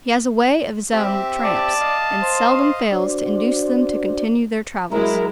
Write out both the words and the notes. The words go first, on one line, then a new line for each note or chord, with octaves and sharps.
He has a way of his own with tramps, and seldom fails to induce them to continue their travels.
C4 G4 E5
D5 A5
D#5 F5
C5
D4 F#4 C5 D5
F#3 G#3 E4 A#4